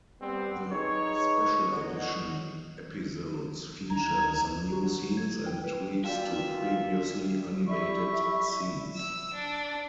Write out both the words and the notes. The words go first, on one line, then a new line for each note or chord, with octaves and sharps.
The Special Edition episodes featured some new scenes and tweaks to previously animated scenes.
G3 B3 C4
D#4 G#4 B4 C#5
B2 D3 E3 F#4 C#5 D#5
D2 D#3 A#5 G#6
F#4
F#3
G#6
G5
B4
E2 A#2 F4 F#4 D5 E5 G5 A5
G3 E4 E5 C#6
E6
D4